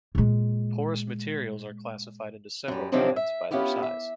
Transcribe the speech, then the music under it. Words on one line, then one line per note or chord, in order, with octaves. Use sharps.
Porous materials are classified into several kinds by their size.
A#2 G#3
F#2 G3
C3 D#3 F3 F#3 C4 D4
E5
B3 C#4 E4 F4 G4 B4
E5